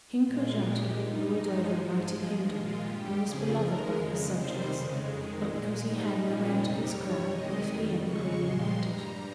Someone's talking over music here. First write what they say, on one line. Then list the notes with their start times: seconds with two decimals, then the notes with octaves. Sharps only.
King Kojata ruled over a mighty kingdom, and was beloved by his subjects; but because he had no heir to his crown, both he and the Queen lamented.
0.23 A#2 G#3 F4
0.61 A#2 G#3 G4
0.98 G2 G3 D#4
1.35 G2 F3 G#3 D#4
1.72 G#2 F3 G#3
2.10 G2 F3 G#3
2.46 A#2 G#3 F4
2.83 G2 G3 G4
3.20 F2 C#3 F3 G#4
3.57 G#2 D#3 G#3 A#4
3.94 F2 C#3 G#3
4.32 C3 D#3 G3 C5
4.68 F2 C#3 G#3
5.05 F2 D#3 G#3
5.43 A#2 G#3
5.79 G#2 G3 D#4
6.16 A#2 F3 G#3 C#4
6.54 F2 C3 G3 D#4
6.91 G2 G3 C#5
7.28 C3 D#3 G#3 D#5
7.65 F2 D#3 G3
8.01 F2 C#3 G#3 C#6
8.39 A#2 F3 G#3 C6
8.76 G2 G3 A#5